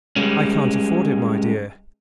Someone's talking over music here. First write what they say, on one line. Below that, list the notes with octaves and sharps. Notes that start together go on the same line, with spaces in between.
"I can't afford it, my dear."
G3 G#3 C#4